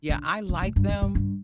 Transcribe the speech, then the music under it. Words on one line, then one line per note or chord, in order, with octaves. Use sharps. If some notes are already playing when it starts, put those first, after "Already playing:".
Yeah, I like them,
D3
C#3
A2
G2
E2
G2
G2